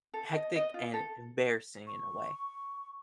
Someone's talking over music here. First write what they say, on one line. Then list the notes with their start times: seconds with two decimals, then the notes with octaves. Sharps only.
hectic and embarrassing in a way.
0.14 A4
0.32 D#5
0.56 D#5
0.74 F4
0.94 A4
1.87 C#6